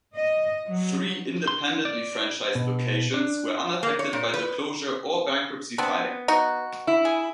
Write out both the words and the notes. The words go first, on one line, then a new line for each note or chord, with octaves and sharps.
Three independently-franchised locations were unaffected by the closure or bankruptcy filing.
D#5
F#3
C6
D5
B2
D4
A#3
C#5
A#2
B4
B3 C4 D4
D#4 F#4
E4
G#4